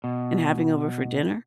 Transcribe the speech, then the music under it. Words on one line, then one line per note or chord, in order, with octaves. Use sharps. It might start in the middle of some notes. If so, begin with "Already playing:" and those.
and having over for dinner?
B2